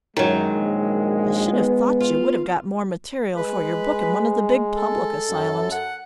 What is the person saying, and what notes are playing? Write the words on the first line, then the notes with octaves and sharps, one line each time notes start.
I should have thought you would have got more material for your book in one of the big public asylums.
F#2 D#3 F#3 G#3
A#1
B3
F4
G#3 B4
A4
F#2
F#5